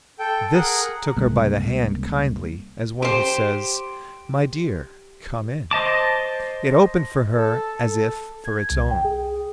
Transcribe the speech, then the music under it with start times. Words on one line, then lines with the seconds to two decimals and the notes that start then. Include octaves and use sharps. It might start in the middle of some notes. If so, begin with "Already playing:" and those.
This took her by the hand kindly, as one who says, "My dear, come in." It opened for her as if for its own.
0.19 A4 G5
0.54 G#4 A#4 F#5
1.16 C#2 C3 G3 A#3
3.02 G4 C5
5.71 C5 D#5 A5 D6
7.36 A4
7.79 A4
8.45 G#6
8.70 C2
8.90 G5
9.04 G#4